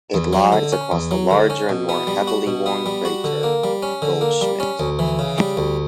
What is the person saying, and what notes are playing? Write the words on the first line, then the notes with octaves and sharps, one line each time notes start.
It lies across the larger and more heavily worn crater Goldschmidt.
E2
F#3
D3
C#4
E2
F#3
D3
C#4
B2
B3
G3
F#4
B2
B3
G3
F#4
D3
A#3
G3
C#4
D3
A#3
G3
C#4
D2
E3
C#3
G3
D2